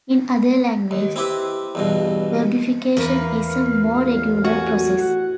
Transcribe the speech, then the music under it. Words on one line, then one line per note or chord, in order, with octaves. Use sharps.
In other languages, verbification is a more regular process.
D#2
C4 E4 G4 B4
E2 G2 B2
E2 A#4 B4 F5
A1
F#4 G#5
F#5